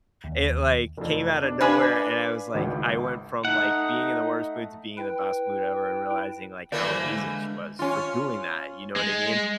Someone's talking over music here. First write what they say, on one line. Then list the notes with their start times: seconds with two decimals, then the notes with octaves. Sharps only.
it, like, came outta nowhere, and I was, like I went from, like, being in the worst mood to being in the best mood ever, and realizing, like, how amazing she was for doing that, you know what I mean?
0.24 D#2
0.97 F1 F2
1.42 D4
1.60 D4 B4 D5 F5 G#5 B5
2.54 G#1 C#2
3.45 A3 D#4 F#5
4.97 E4 B4 G5
6.72 E3 A3 A#3 D5
6.87 G4 C5 A5
7.04 D3 G#3
7.79 C#4 F4
8.96 G#3